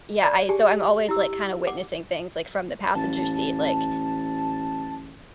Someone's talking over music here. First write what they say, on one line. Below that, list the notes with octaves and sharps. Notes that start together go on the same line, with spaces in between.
yeah, I so I'm always, like, kinda witnessing things, like, from the passenger seat, like,
D5
G4 G#4 G#5 A5
E4 G4 E6
F#5 D6
A1 A5